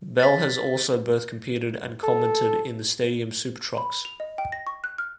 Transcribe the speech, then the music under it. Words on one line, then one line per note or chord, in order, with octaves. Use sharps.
Bell has also both competed and commented in the Stadium Super Trucks.
A6 B6
A4
B5
F7
D#5
G5
A#6
C#6
F#6
F6